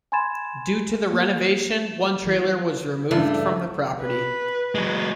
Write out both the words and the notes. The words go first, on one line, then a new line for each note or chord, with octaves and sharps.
Due to the renovation, one trailer was removed from the property.
G#5 B5 C6 G#6 A6 E7
A#3
E3
G2 C#3 E3 A3 D4
B4
F#3 G#3